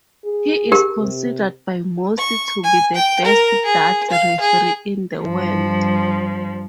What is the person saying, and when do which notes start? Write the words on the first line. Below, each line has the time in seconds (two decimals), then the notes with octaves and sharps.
He is considered by most to be the best darts referee in the world.
0.25 G#4
0.72 G4 A#4
1.01 C3
2.18 C#6
2.63 G#5
2.95 G5
3.25 A#4
3.65 G#4
4.10 F5
4.40 G#4
5.22 G2 F3